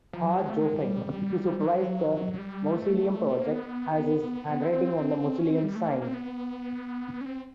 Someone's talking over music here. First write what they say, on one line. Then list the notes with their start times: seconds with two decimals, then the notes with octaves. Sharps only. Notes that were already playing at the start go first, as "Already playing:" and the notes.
Hua Guofeng, who supervised the mausoleum project, has his handwriting on the mausoleum's sign.
0.13 F3
0.26 F#3
0.39 G#3
0.50 A3
0.63 G#3
0.76 G3
1.59 G3
1.64 F#3
2.33 F#3
2.38 G3
2.76 A3
3.40 A#3
3.51 B3
4.63 C4
5.39 C#4
5.50 C4
5.63 G3
5.76 A3
5.89 A#3
6.01 A#3
6.08 C4
6.14 B3
7.21 C#4
7.26 C4